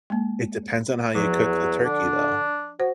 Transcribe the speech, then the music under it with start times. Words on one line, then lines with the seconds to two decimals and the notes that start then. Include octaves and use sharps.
It depends on how you cook the turkey, though.
0.10 G#3 A#3
1.15 E2 F3 F#3
1.85 D3 D4
2.80 F#4 C5